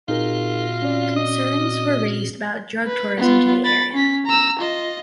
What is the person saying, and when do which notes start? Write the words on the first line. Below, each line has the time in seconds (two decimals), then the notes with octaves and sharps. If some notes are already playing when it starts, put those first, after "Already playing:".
Concerns were raised about "drug tourism" to the area.
0.08 A#2 C4 D#4 F4 F#4 G#4 A#4
0.82 C#4 D5
1.16 D#5
2.87 B4
3.17 B3 F4
3.65 B5 A6
3.93 C#4 B6
4.26 A#5 E6
4.59 F4 D#5